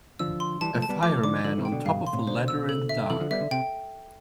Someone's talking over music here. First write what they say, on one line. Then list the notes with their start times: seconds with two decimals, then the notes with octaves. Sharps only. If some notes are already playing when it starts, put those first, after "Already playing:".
A fireman on top of a ladder in the dark.
0.19 D3 F3 E6
0.40 C6
0.61 E3 G3 A5
0.75 F3 A3
0.82 A5
0.89 G3 B3
1.02 F3 A3 D6
1.23 D3 F3 D6
1.44 D3 F3 A4
1.58 C3 E3
1.65 G5
1.71 B2 D3
1.85 G2 B2 F5
2.07 C6
2.13 A2 C3
2.27 B2 D3 C5
2.48 E6
2.69 A4
2.89 E5
3.10 C3 E3 A4
3.20 D3 F3
3.31 G3 B3 E5
3.41 D3
3.51 C3 G5